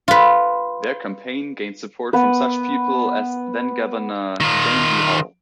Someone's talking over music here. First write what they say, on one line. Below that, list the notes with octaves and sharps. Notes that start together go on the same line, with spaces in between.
Their campaign gained support from such people as then-Governor Jane Dee Hull.
F4 B4
B3 B4
D#3 F4